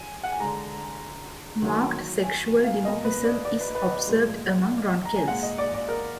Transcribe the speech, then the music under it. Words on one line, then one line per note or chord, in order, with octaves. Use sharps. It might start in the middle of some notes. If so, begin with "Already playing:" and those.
Marked sexual dimorphism is observed among ronquils.
Already playing: G#5
F#5
G#5
D3 G#3 A#5
D#3 F#3 A#3
G#5
F5
B2 A#3 D#5
B4
D5
D5
B4
B4
D#5
A#2 F3 G#3
A#5
G#5
A#2 G#3 F#5
D#5
D5
D5
A#4